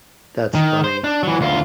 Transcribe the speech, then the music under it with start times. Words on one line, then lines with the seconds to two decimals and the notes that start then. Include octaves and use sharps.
That's funny.
0.55 D#3
0.84 C5
1.04 D4
1.23 E3 F#3
1.41 D2 F4